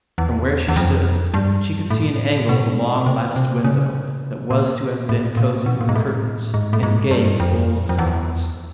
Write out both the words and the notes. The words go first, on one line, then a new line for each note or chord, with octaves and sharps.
From where she stood she could see an angle of the long latticed window that was to have been cosy with curtains and gay with bowls of flowers.
E2
E2
F2
G2
A2
B2
C3
C3
C#3
A#2
A2
A#2
B2
A#2
G#2
A2
G#2
A2
G#2
G2
F2
F2
E2